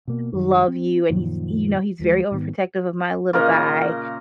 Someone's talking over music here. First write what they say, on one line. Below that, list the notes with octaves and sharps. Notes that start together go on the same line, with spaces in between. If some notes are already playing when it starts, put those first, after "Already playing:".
love you, and he's you know, he's very overprotective of my little guy,
B2 A#3
F#2 D#3 G3
C4
F#2 A#2 D#3 F3
D#2 F3 G#3
G#2 D#3 B3
A#2 C#3 A#4 D#5